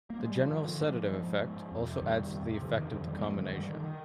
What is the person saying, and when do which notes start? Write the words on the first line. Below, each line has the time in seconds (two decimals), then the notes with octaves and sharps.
The general sedative effect also adds to the effect of the combination.
0.10 A#3
0.20 G#3
0.30 G3
0.40 F3
0.50 G#2 D#3
0.65 D3 F3
0.80 G#2 F3 G#3
1.07 G3
1.10 G#2 F3 G#3
1.41 G#2
1.71 F2
1.87 C3
2.02 F2 D#3 G3
2.17 C3
2.32 F2
2.47 C3
2.62 F2 D3 F3
2.77 C3 D#3
2.92 F2 D3 F3
3.07 D3 D#3 G3
3.19 A#3
3.23 F2 F3 G#3
3.38 D3
3.53 G2 D#3 G3
3.68 D3 D#3
3.84 D#3